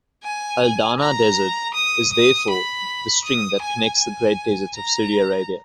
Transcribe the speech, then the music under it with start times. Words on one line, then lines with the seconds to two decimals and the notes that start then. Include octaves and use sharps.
Al-Dahna Desert is therefore the string that connects the great deserts of Saudi Arabia.
0.24 G#5
1.00 A#5
1.74 D#6
2.13 D#6
2.50 B5
3.25 D#6
3.62 G#5
3.99 G#5
4.75 A#5